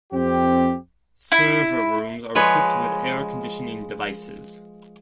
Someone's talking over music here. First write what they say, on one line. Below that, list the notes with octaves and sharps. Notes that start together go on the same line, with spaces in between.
Server rooms are equipped with air conditioning devices.
F2 C4 G4
E4
F3 G#3 B4 C#5